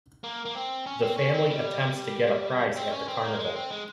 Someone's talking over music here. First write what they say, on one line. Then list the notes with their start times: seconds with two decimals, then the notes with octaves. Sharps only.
The family attempts to get a prize at the carnival.
0.24 A#3
0.45 A#3
0.55 C4
0.86 C#4
1.02 C4
1.17 C#4
1.34 C4
1.50 G3
2.76 C4
2.92 C#4
3.08 C4
3.24 A#3
3.39 G#3
3.56 C4
3.70 G#3